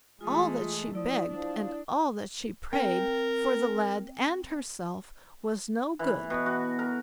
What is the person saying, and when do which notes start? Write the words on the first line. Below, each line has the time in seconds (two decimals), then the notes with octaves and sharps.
All that she begged, and all that she prayed, for the lad and herself, was no good.
0.21 E3 G#3 A3 F4 G#4
0.94 F3 E4 D5 D#6
1.30 F3 D4
2.73 C4 A#4 G5
5.99 E3
6.30 B2
6.46 F#4
6.79 A#4